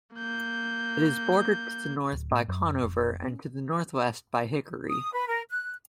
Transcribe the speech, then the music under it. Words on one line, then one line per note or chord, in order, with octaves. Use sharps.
It is bordered to the north by Conover and to the northwest by Hickory.
A#3 G6
D1
A2
F#2
F1
C#4
D#6
B4
A#4
F#6